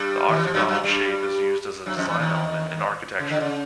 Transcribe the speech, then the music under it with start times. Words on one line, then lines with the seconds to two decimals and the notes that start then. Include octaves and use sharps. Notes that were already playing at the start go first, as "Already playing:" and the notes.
The octagonal shape is used as a design element in architecture.
Already playing: G2 G3
0.29 D#3
0.37 E3
0.45 F3
0.54 F#2 F#3
0.69 F#2 F#3
0.83 G2 G3
1.86 F#2 F#3
1.97 F2 F3
2.08 E2 E3
2.20 D#2 D#3
3.20 C#3
3.30 D3
3.40 C#3